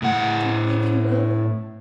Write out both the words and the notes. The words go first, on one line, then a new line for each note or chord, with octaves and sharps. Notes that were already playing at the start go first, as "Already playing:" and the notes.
"Do you believe he will?"
A2 F#5